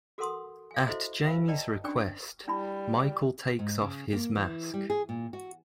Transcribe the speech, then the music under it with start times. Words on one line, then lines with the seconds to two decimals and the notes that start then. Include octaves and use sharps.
At Jamie's request, Michael takes off his mask.
0.18 F#4 A4 A#4 F#5 C6 D#6
0.71 F5 G#5
0.86 E4 F#4 A4 C5 D#5 E5
1.23 B4 C5 E5 F5 B5
1.48 B4 D5 D#5 G5 A5 A#5
1.84 C#4 D4 D5 G5 G#5
2.48 G3 D4 E4 B5
3.59 G#2
3.82 C#3
4.13 A#3
4.35 E3
4.74 G3
4.90 G#4
5.09 A#2
5.33 F#4